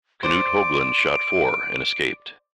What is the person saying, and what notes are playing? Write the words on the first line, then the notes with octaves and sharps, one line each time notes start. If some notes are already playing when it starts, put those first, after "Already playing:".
Knut Haugland shot four, and escaped.
C5 D5 D7